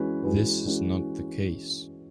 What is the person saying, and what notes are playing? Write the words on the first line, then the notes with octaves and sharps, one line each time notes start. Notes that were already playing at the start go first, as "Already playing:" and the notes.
This is not the case.
Already playing: E3 G#3 C#4 F#4 B4
E3 G#3 C#4 F#4 B4
E3 G#3 C#4 F#4 B4